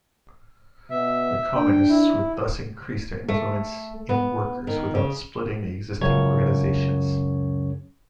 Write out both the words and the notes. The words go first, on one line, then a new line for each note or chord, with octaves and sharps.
The Communists would thus increase their influence in workers without splitting the existing organisations.
B2 E5
D4 G5
E4
A3
B3
D#3
C#3
C#2 F#2 C#3 C#5 G#6